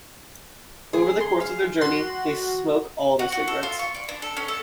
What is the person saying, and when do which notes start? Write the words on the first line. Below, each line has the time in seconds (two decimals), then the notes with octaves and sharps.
Over the course of their journey, they smoke all their cigarettes.
0.93 G#4
1.20 C6
1.40 F5
1.82 F#4 C6
3.19 F#4
3.32 F#4
3.48 A4
3.63 F4
3.79 C#6
3.94 D5
4.09 D4
4.22 A4
4.37 C#4
4.48 A4